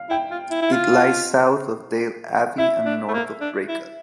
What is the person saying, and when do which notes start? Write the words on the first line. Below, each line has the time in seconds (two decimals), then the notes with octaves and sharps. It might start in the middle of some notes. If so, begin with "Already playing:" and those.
It lies south of Dale Abbey and north of Draycott.
Already playing: F5
0.10 E4 G5
0.31 F4
0.51 E4
0.62 E4
0.72 F4
0.93 F5
2.58 E4 E5
2.86 D4
3.09 A3
3.14 A#3
3.41 D4
3.69 E4